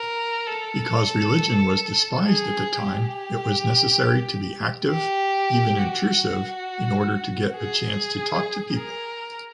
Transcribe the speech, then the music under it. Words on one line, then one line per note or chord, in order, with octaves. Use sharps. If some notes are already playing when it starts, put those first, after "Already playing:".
Because religion was despised at the time, it was necessary to be active, even intrusive, in order to get a chance to talk to people.
Already playing: A#4
A4
G#4
G4
G4
F#4
G#4
A#4